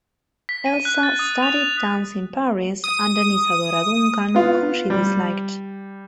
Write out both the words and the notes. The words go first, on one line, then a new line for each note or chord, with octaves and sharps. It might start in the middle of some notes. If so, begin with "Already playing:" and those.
Elsa studied dance in Paris under Isadora Duncan, whom she disliked.
B6
D#7
F#6
A6
D#6
F7
D#6
B3 F4
G3